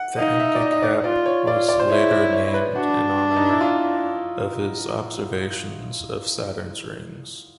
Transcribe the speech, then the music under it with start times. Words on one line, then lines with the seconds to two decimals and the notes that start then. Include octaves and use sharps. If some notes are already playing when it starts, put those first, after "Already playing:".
The Encke Gap was later named in honour of his observations of Saturn's rings.
Already playing: F#5
0.18 D#4 F5
0.40 E5
0.55 D5
0.61 D#5
0.72 D#5
0.83 D5
1.04 F4 D5
1.26 C#5
1.47 F4 D5
1.69 D5
1.79 C5
1.90 E4 C#5
2.11 D5
2.33 C#5
2.54 B4
2.75 D4 F#4
3.36 D#4
3.48 E4
3.61 F4